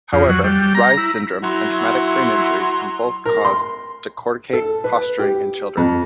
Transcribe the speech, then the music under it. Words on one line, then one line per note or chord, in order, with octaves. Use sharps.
However, Reye's syndrome and traumatic brain injury can both cause decorticate posturing in children.
F2
F#3
G3
A#5
E4
F#3 E4 C6
A#4
C6
A4
B4
G4
F2